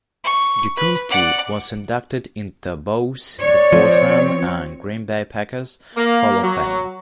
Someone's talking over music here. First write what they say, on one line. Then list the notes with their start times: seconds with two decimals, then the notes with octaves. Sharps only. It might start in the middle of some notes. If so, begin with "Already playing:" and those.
Jacunski was inducted into both the Fordham and Green Bay Packers Hall of Fame.
0.24 C#6
0.76 B4
1.09 D5 F#5
3.40 C#5 D5
3.72 F3 C4
5.96 A#3
6.42 F#3